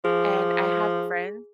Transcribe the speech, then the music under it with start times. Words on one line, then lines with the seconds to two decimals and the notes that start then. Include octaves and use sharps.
and I have friends
0.05 F3 G#4